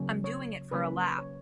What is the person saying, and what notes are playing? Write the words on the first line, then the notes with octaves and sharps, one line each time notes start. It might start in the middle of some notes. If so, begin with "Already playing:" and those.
I'm doing it for a laugh.
Already playing: C#3 F#3 A#3 C#4
C#5
C#3 F#3 A#3 C#4 B4
C#5